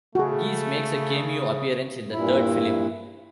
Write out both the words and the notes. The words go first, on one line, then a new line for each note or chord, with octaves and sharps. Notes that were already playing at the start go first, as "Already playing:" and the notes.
Geese makes a cameo appearance in the third film.
C#3 A3 F#4 G#4
G2 A#2 E4